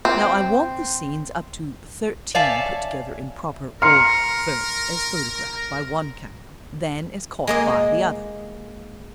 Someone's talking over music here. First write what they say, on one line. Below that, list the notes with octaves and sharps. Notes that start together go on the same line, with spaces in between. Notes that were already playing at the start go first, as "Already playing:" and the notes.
Now I want the scenes up to thirteen put together in proper order, first as photographed by one camera, then as caught by the other.
C4
C#5 D5 E5 F5 G#5 A5
A#4 A#5 C6 F6 C7 C#7
G#3 A#3 D#5